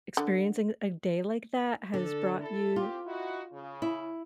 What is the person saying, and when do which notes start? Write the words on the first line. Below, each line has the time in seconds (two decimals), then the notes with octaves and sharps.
experiencing a day like that has brought you
0.17 D3
1.94 D3 A4
2.39 E4 A4
2.76 C4 F4 G4
3.05 D#4 E4 F#4
3.52 C#3
3.82 E4